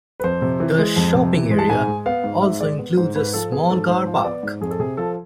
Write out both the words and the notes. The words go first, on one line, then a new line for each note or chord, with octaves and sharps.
The shopping area also includes a small car park.
B4
F2 C5
C3
E3
G#3
F2
C3
E3
G#3
A5
G#2 G#5
G#3
B3 F5
G#2
G#2 E5
G#3 D5
B3
G#2 C5
G#2 B4
F3 A4
B3 G#4
G#2 A4
G#2 C5
F3
B3 D5
G#2
F2 G#4
A4
C3 G#4
F3 A4